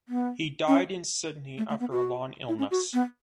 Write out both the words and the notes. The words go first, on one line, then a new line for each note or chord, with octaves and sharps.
He died in Sydney after a long illness.
B3
C#4
A3
A3
B3
F#4
E4
C#4
F#4
B3